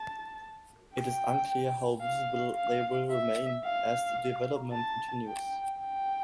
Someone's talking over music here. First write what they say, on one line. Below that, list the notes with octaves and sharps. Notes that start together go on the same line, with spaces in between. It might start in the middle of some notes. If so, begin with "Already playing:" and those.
It is unclear how visible they will remain as the development continues.
Already playing: A5
G5
F5
F5
E5
F5
A5
G5
G5